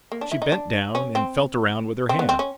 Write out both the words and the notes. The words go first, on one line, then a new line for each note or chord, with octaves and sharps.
She bent down and felt around with her hand.
A#3
D4
E4
D#4
D4
C#4
C4
C4
B3
C4
C#4